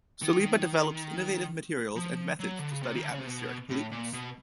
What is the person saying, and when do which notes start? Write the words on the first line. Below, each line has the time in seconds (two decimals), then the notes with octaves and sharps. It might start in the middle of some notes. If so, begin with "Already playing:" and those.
Saliba develops innovative materials and methods to study atmospheric pollutants.
0.23 D#3
1.96 F3
2.40 F#3
2.59 D3
2.71 C#3
2.83 C3
2.95 D#3
3.03 D3
3.11 C#3
3.18 C3
3.26 B2
3.70 A2
3.91 A#2
4.13 B2